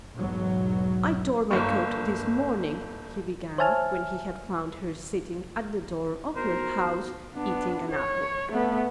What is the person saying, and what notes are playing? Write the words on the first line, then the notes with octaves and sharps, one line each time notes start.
'I tore my coat this morning,' he began, when he had found her sitting at the door of her house eating an apple.
B1 E2 G#2 F#3
G1 A#3 C#6
C5 C#5 E5 G#5 A5 F6
B3 D#4 F#4 A#4 C5
B3 D4
C#5
A3 B3